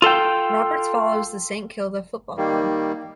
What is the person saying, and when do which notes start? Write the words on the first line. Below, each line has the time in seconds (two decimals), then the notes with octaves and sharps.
Roberts follows the Saint Kilda Football Club.
0.02 F4 A4 F5 G5
2.37 D#3 G3 A#3